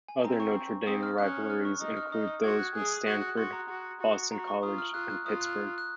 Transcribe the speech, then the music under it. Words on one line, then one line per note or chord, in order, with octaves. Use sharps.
Other Notre Dame rivalries include those with Stanford, Boston College, and Pittsburgh.
G#5
C4 A#5
C#6
C4 D#6
F6
C#4 F#6
F6
C#6
D#4 D#6
F6
D#4 D#6
D#6
F#4 G#6
F#6
G#4 F#6
D#6
D#6
F#4 F#6
F#6
F#4 C6
A#5
F#4
F#4
F#4 A#5
C#6
F4 D#6
F6
F4 F#6
F#6
F4 D#6
F#6
F#6